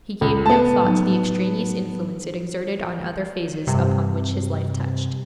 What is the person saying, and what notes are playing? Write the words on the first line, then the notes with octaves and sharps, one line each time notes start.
He gave no thought to the extraneous influence it exerted on other phases upon which his life touched.
C#2 A2 A4
B3 A5
A2 F#3 D#4
G2 C3